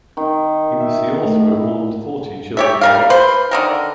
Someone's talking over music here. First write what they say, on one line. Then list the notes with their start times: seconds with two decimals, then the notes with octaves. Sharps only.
He was the author of more than forty children's books.
0.17 D#3
0.80 E5
1.25 A3
1.51 E4
2.57 G4 C#5 E5
2.81 G3 A#4 F5
3.10 B4 C5
3.51 D3 D#3 A#4